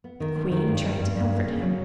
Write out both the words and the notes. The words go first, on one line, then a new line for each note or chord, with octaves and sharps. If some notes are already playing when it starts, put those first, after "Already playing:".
The queen tried to comfort him.
B3
D#3
B3
D#3
G2
G2
G2
G2
A#3
C#3
F#3